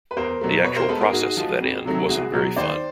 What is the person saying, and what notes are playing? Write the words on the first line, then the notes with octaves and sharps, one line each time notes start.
The actual process of that end wasn't very fun.
B4
E2 A#4 C5
B2 F#3 A3
B2 B4 C#5
A#4 C5
G#3 B3 A4 B4
G#4 A#4
G#2 F#4 G#4
F3 G#3
F2
C3 D#3 F#3 A3
C2 F#4 G#4
B2 F#3
D#2 C5 D5